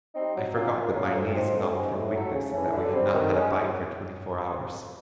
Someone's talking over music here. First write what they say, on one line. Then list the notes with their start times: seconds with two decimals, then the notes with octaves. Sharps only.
I forgot that my knees knocked from weakness and that we had not had a bite for twenty-four hours.
0.14 G3 C4 D#4
0.34 F#3
0.54 A#3 C#4 F4
0.74 A#2
0.94 F#3 A#3 C#4 F4
1.13 D2
1.33 C3 F3 G#3 C4
1.53 D2
1.73 C3 D#3 G#3 C#4
1.93 A2
2.13 F#3 A3
2.33 C#3
2.52 E3 A3 C#4
2.72 D3
2.93 G3 C4
3.12 D#3
3.32 G#3 C#4